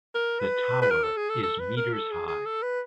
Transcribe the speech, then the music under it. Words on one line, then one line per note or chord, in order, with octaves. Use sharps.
The tower is meters high.
A#4
B4
B4
A#4
A4
G#4
A4
A4
B4
A#4
A4
G#4
G#4
A4
B4